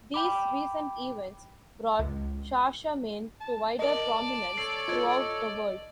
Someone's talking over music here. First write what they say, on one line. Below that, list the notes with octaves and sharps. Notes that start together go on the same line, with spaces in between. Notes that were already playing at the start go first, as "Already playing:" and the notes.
These recent events brought Shashamane to wider prominence throughout the world.
G5 B5 D6
C#2
A5
A#4 D5 D#5 A5
A4 C#5 C7
F4 D#5 G#6